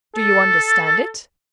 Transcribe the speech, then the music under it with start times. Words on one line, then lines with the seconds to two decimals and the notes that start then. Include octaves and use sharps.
"Do you understand it?"
0.15 A4